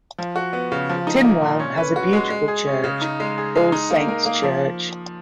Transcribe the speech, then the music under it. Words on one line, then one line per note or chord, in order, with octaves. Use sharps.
Tinwell has a beautiful church - All Saints' Church.
F3
F#4
B3
C#3
F3
D#4
A#3
A#2
C#4
B4
F#4
G#3
G#3
G#4
C#4
C#3
D#4
G#3
G#4
G#3
D#4
A#3
A#4
A#3
F3